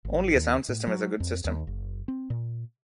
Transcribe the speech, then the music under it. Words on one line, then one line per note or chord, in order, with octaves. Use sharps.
Only a sound system is a good system.
G#1
D#2
A2
F#3
F2
D#2
F#1
C4
A#2